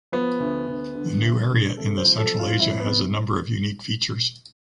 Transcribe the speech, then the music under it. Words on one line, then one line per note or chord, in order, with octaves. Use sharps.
The new area in the Central Asia has a number of unique features.
F3 B3
D2
D2
D3
D2
D2
C3 A4
C5
F3
A4
F2
F4
F2 E4
B3
C3